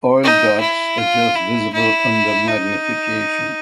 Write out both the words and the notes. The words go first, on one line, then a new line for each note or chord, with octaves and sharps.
Oil dots are just visible under magnification.
D#4
E4
F4
E4
E4
D#4